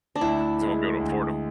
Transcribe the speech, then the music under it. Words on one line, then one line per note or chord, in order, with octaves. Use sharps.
'cause they won't be able to afford 'em.
D4
D2 E4
G#3
D2